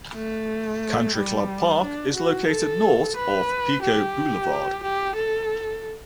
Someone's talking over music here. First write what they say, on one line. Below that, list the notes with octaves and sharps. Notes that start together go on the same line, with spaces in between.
Country Club Park is located north of Pico Boulevard.
A3
G3
D4
F#4
A4
B4
G4
G4
A4